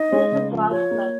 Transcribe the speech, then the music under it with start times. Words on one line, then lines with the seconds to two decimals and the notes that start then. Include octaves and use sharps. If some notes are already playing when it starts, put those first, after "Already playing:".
There is a golf club.
Already playing: D#4 D#5
0.12 G#3
0.32 C#3
0.52 F3
0.71 F4 C#5
0.91 A#3